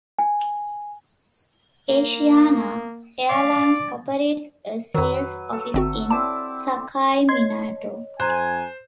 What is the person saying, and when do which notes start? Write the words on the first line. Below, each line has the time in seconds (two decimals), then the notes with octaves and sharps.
Asiana Airlines operates a sales office in Sakaiminato.
0.19 G#5
1.89 A#3
3.29 D5 F5
4.94 F2 D#3 F#3 B4
5.53 A4
5.74 G1 C4 F#4 E5
6.10 C4 E4 D5 A5
7.29 C#5 D#5 C6 G#6
8.20 F2 C5 G#5 A#5 F#6